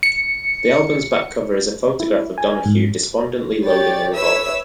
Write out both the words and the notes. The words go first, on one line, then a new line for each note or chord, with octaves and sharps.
The album's back cover is a photograph of Donahue despondently loading a revolver.
C#7
E4
G#5
G#2
G4 C#5 D5 A6
B4 C#5 E5 E6 B6